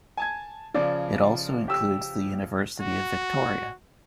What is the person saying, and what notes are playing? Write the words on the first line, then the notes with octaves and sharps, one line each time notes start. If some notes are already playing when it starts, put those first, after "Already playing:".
It also includes the University of Victoria.
G#5 A5 G#6
C#3 F3 D5
G4 E6
F#4